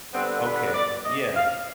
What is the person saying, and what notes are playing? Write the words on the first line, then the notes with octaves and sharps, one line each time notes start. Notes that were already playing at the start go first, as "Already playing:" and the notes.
Okay, yeah.
D3 G3 B3 C4
B4
D5
D#5
F5